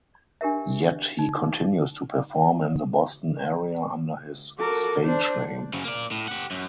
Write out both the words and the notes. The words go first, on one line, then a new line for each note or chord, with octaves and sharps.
Yet he continues to perform in the Boston area under his stage name.
D4 G4 A#4 E5
D#4
F#4 A4 A#4 D6
D4 C5
F#2 C#3
A#3 D5
A2
G4 F#5
F#2